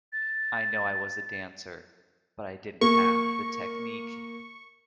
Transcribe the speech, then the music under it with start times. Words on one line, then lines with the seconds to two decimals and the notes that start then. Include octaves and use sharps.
I know I was a dancer, but I didn't have the technique.
0.13 A6
2.81 A#3 C#6